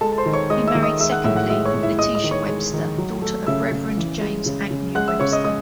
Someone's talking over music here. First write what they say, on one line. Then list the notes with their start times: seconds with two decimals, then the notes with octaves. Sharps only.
He married secondly Letitia Webster, daughter of Reverend James Agnew Webster.
0.01 G#3 A4 A5
0.12 A5
0.18 C5 C6
0.26 D#3
0.33 C#5 C#6
0.50 G#3 D#5 D#6
0.67 E5 E6
0.75 D#3
0.83 D#5 D#6
0.99 G#3 E5 E6
1.12 F#5 F#6
1.24 A2 E5 E6
1.36 F#5 F#6
1.49 G#3 E5 E6
1.65 C#5 C#6
1.74 A2
1.83 E4 E5
1.98 G#3 D#5 D#6
2.15 D#5 D#6
2.24 D#3
2.31 C#5 C#6
2.48 G#3
2.73 D#3
2.98 F#3
3.22 A3
3.47 C#3 E5 E6
3.71 C#3
3.97 E3
4.21 G#3
4.46 C#3
4.71 C#3
4.95 G#3 F#5 F#6
5.08 E5 E6
5.20 C#3 C#5 C#6
5.32 D#5 D#6
5.44 G#3 D#5 D#6